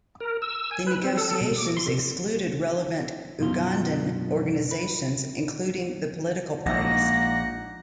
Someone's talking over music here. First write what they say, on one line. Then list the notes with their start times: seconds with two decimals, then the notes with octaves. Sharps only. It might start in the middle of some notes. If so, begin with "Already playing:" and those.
The negotiations excluded relevant Ugandan organisations, including the political parties.
0.20 A#4
0.42 E6
0.71 G#5
0.87 B4
1.04 C4
1.17 A4
1.41 B2
1.56 D6
1.77 C6
1.88 C3
3.39 F#2 B2 F4
4.71 B4
6.66 A#1 G#3 A#3 D#4 F#5 A#6